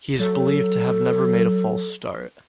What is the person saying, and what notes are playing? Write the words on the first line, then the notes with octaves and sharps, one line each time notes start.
He is believed to have never made a false start.
F#3 A4